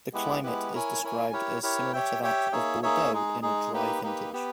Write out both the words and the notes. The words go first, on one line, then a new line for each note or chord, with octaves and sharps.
The climate is described as similar to that of Bordeaux in a dry vintage.
G#3 B3 E4 G4 B4
G#3 B3 E4 G4 B4
E4 A#4 C#5 G#5
E4 A#4 C#5 G#5
E4 G4 A#4 C#5
E4 G4 A#4 C#5
G4 C#5 E5 G5
G4 C#5 E5 G5
A#3 D#4 G#4 C#5 E5
A#3 D#4 G#4 C#5 E5
G#3 D#4 G#4
G#3 D#4 G#4
A#3 D#4 G4 B4
A#3 D#4 G4 B4
B3 G4 B4